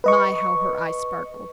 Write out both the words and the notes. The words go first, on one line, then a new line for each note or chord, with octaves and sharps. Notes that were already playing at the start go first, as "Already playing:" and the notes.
My, how her eyes sparkled!
B4 D#5 C#6